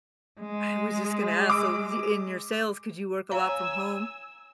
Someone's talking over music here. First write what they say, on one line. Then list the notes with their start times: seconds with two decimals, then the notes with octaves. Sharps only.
I was just gonna ask, so the in your sales, could you work a lot from home?
0.40 G#3
1.50 D6 E6 D7
3.32 C#5 F5 G#5 A#5 E6